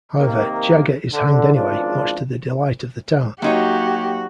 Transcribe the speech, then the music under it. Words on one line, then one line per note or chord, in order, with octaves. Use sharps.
However, Jagger is hanged anyway, much to the delight of the town.
C3 D#3 A#3
D3
G#1 C#2 F3 D4 F4
F#3 A#3 D#4 F#4 G4 C#5